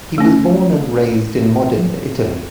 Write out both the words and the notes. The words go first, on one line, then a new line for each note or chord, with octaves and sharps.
He was born and raised in Modena, Italy.
A3 C#4